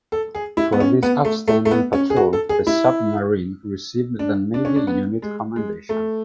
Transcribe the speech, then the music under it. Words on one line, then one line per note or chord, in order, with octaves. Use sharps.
For this outstanding patrol the submarine received the Navy Unit Commendation.
A4
G#4
E4
B3
C#4
B3
A3
A3
A3
B3
C#4
G#4
F#4
A4
G#4
E4
D4
D4
C#4
D4
B3
G#3
G#3
A3